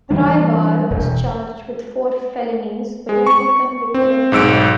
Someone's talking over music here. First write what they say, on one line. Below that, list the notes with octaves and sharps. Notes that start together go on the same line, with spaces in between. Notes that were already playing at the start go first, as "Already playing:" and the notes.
Rybar was charged with four felonies, but only convicted of two.
E3 G3 D4
E1
G#3
C#6
C4
B1 G#2 E6 D7